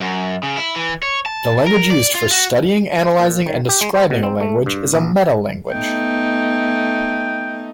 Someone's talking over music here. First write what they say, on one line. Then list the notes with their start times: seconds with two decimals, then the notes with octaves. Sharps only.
The language used for studying, analyzing, and describing a language is a "metalanguage".
0.01 F#2
0.43 C#3
0.57 E4
0.76 E3
1.03 C#5
1.26 A5
1.67 A#4
1.90 D5
2.15 F4
2.32 F#4
3.20 A#2
3.46 D#3
3.69 G4
3.81 G#3
3.94 C5
4.10 B2
4.23 C4
4.41 A3
4.66 G2
4.94 A#1
5.71 A3 B3 D#4 G5